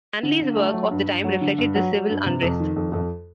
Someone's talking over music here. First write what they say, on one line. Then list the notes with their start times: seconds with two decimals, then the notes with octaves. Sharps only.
Manley's work of the time reflected this civil unrest.
0.23 D3
0.40 D3
0.57 A3
0.73 F#3
0.91 G2
1.07 G2
1.24 F#3
1.41 D3
1.58 G2
1.75 F#3
1.92 F#3
2.09 G2
2.26 C3
2.42 F2
2.60 D#3
2.76 F2
2.93 F2